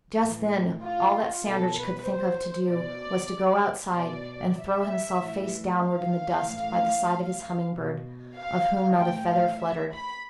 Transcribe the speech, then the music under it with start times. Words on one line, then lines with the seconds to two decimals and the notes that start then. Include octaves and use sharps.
Just then all that Sandridge could think of to do was to go outside and throw himself face downward in the dust by the side of his humming-bird, of whom not a feather fluttered.
0.20 A2 E3
0.83 F4
1.46 B2 A4
1.77 B4
2.08 C5
2.71 B2 D5
3.96 B2 D5
4.59 E5
5.22 A2 E3
5.85 F5
6.48 A2 E3
7.73 B2
8.36 F5
8.98 A2 E3 G5
9.29 F5
9.61 E5
9.92 B5